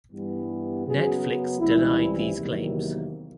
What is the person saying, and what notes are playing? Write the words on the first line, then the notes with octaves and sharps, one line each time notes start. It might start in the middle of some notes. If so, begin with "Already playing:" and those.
Netflix denied these claims.
G2 E3 G3 B3
F#2 C#3 F#3 B3 G#4
C#2 C3 E3 G3 E4
E2 C3 D#3 F#3 A#3